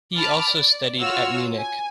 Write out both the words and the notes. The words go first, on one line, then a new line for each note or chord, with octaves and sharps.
He also studied at Munich.
A5 B5 D6 F6 A6
D5
F4 F#4 C#5 E6 F6
G#5